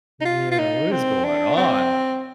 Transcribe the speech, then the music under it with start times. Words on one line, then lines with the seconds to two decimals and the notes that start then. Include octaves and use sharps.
Yeah, what is going on?
0.21 D#4
0.25 F4
0.51 F4
0.59 D#4
0.92 C4
1.24 D4
1.57 C4